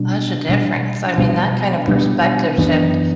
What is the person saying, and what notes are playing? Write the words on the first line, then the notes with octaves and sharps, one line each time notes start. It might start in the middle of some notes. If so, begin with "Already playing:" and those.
such a difference. I mean, that kind of perspective shift,
Already playing: B2 G3 B3 D4
B2 G3 B3 D4
B2 G3 B3 D4
B2 G3 B3 D4
F#2 E3 B3 D4